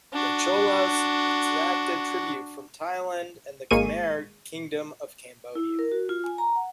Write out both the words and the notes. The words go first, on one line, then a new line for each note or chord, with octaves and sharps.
The Cholas exacted tribute from Thailand and the Khmer kingdom of Cambodia.
D4 F#4
G#1 G#3 A#3 G#4 C#6 D#7
E4
A#4
F#4
F4
G#5
A#5
F#5